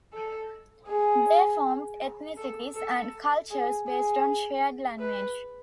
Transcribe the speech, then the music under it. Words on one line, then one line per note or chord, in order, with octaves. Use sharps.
They formed ethnicities and cultures based on shared language.
A4
G#4
A4
A4
G#4
G#4
B4